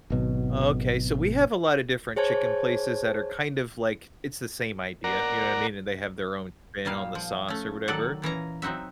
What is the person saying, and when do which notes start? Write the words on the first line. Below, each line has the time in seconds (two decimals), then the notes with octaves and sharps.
Okay. So we have a lot of different chicken places that are, kind of, like it's the same idea, you know what I mean, and they have their own spin on the sauce or whatever,
0.10 G#1 B2 F#3
2.16 G#4 C5 C#5 A5 G#6
5.04 A#4 D5 F#5 A#5
6.85 A#2 G3 D#4 F5
7.15 F3
7.48 A3 C#4
7.88 D#3 F#3 A4 D5 F#5
8.22 A#2 E3 C#4 A#5
8.62 F#3 C4 D#4 F#4 E5